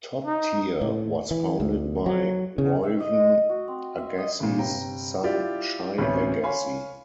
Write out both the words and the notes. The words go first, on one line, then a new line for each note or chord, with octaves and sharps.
TopTier was founded by Reuven Agassi's son Shai Agassi.
D#4
A2
E3
D2
F#3
C#3
E5
D#5
F#4
C4
E5
D#5
A1 A#2
G1 C3 G5 A#5
E4 F4 G4 D5
A1 D2 B2 C4 C#4
C#5 F5 G#5 B5 C6